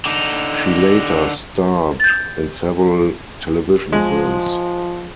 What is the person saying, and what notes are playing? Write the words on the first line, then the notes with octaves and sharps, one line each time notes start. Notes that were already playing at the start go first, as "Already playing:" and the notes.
She later starred in several television films.
D3 D#4
G6 A6
F3 G#3